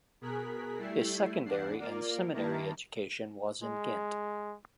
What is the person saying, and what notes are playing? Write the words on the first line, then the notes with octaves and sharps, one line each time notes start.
His secondary and seminary education was in Ghent.
B2 G#4 A#4 F#6 B6
G3 A3 E4 C7
E2 D4 F#5 C7
A#3 F4 A#4 D5
D#3 A#3 E4 A5 A#5
G#3